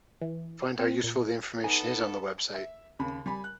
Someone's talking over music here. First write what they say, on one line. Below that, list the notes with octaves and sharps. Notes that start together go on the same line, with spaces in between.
Find how useful the information is on the website.
E3
C4
A#2
B3 D#4 A4 G#5
E5
D#2 C#3 B5
G3 G#5 B5
F#6